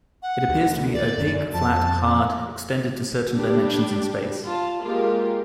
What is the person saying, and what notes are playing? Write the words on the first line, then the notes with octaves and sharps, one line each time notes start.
It appears to be opaque, flat, hard, extended to certain dimensions in space.
F#5
D2
D5
F#2
F2 A5
G3 D4 G4
F4 A5
G#3 A#3 F4 G4 A#4